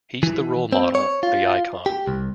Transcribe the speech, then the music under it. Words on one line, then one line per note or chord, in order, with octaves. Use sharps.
He's the role model, the icon.
E3
C4
C#5
F4
G4
C2